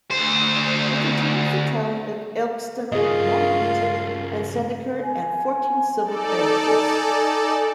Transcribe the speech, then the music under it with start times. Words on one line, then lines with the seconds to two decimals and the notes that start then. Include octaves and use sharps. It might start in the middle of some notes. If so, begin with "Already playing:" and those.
It contains the towns of Ilkeston, Long Eaton and Sandiacre and fourteen civil parishes.
0.11 D2 C5
2.92 G2 C#3 F4 G#4 A#4 D#5
5.05 G#5
6.03 D#4 A4 D5
6.67 G#5